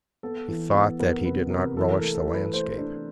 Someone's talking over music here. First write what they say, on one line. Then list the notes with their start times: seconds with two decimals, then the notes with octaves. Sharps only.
He thought that he did not relish the landscape.
0.23 B3 A4
0.48 E3
0.74 B3
1.00 B3 A#4
1.25 C3 B4
1.50 C3 A#4
1.77 E3 A4
1.95 A#4
2.02 A3
2.14 A4
2.27 E3
2.34 B4
2.53 A3 C5
2.78 D4